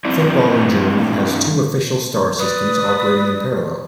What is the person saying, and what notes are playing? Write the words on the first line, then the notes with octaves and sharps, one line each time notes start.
Football in Germany has two official star systems operating in parallel.
G2 F3 C4 E4 D5
B4 D5 D#6